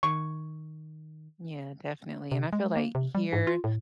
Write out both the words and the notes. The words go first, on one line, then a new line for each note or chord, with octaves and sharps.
Yeah, definitely, and I feel, like, here,
D#3 C#6
C3
G#3
A#3
C3
G3
G#2
F4
A2